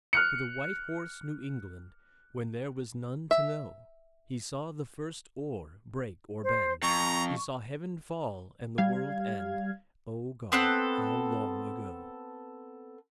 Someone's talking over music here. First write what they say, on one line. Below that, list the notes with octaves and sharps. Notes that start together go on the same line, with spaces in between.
For the White Horse knew England When there was none to know; He saw the first oar break or bend, He saw heaven fall and the world end, O God, how long ago.
F6 F#6 C#7
E5
C5
F2 A#5 C#6
G3 F5 G#6
B3 C4 A4 F#6